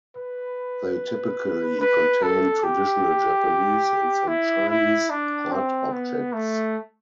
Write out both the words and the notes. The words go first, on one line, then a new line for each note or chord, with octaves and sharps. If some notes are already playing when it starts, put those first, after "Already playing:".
They typically contain traditional Japanese, and some Chinese, art objects.
B4
B4
A4
G4
E4
E4
D4
C4
B3
A3